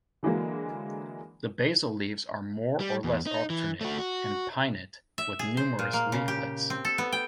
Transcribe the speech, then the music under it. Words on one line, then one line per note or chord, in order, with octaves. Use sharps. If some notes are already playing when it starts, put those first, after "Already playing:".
The basal leaves are more or less alternate, and pinnate, with numerous leaflets.
D3 E3 F#3 G#3 A#3
G3
E2
D#4
E3
A3 F#4
F#4
E5
G#4
C5
A#2
A#3
C#3
G4
C4
A4
B3
G5